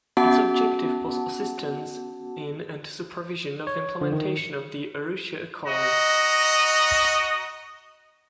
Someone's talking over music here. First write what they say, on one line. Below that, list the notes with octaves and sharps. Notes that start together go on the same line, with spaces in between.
Its objective was assistance in and supervision of implementation of the Arusha Accords.
B3 C#4 F#4 F#5 A5
C#5
D3
D#3
C#7
F#4 D#5 A#5